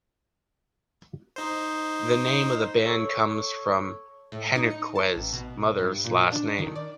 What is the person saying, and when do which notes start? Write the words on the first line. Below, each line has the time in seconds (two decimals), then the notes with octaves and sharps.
The name of the band comes from Henríquez’s mother’s last name.
1.36 D#4 C5
2.85 A4 C#5 C#6
4.32 A2
4.55 D#4
4.71 C#7
4.95 A5
5.15 A1
5.33 B2
5.79 G2
6.04 A#2
6.32 D4
6.58 D#3
6.76 D5